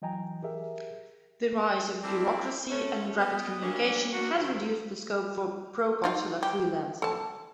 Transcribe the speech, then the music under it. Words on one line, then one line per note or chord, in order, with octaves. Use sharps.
The rise of bureaucracy and rapid communication has reduced the scope for proconsular freelancing.
E3 F#3 D#5 G5 G#5 A#5
G4 G#4 A#4 E5
A3 C4 E4 A#4 D5
A3 C#4
B3 D#5
E3 G3 A#3 C#4 D4
A#3 B3 D4 F#4
E2 G#2 D#3 F3 E4 F#4
D#4 F4
G4
A4 A5